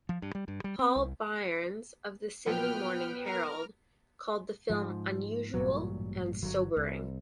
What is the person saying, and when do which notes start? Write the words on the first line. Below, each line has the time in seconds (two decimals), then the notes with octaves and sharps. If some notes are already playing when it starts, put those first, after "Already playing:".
Paul Byrnes of "The Sydney Morning Herald" called the film "unusual" and "sobering".
0.09 F3
0.22 G2
0.35 G3
0.48 G2
0.64 G3
0.79 C4
0.96 C2
2.46 A#2 F3 F#3 B3 B4 G5 F6
3.24 A#4 F6
4.70 G#2 F3
5.54 A1 G2 A#2 F#3
6.43 G1 F#3
6.77 C2